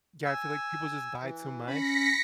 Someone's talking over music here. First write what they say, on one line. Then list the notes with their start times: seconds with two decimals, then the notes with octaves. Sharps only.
Yeah, I feel like people just buy too much,
0.25 G#5 E6
1.22 E3
1.67 C#4 B5 A#6 B6 C#7